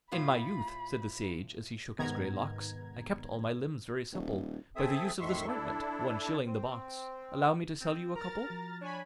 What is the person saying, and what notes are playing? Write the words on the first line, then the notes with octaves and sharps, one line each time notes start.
'In my youth,' said the sage, as he shook his grey locks, 'I kept all my limbs very supple By the use of this ointment--one shilling the box-- Allow me to sell you a couple?'
A2 F4 B5
G#2 C3 D#3 B3 A#5 G#6
D#1
C4 G#4 A4 E5 D#6
F2 A2 D#3 E5 C6 C#6
D4 E4 A4
C4
C4
A#4 A#5 F6 A6
F3 F#4
D4 C#5 G#5 B5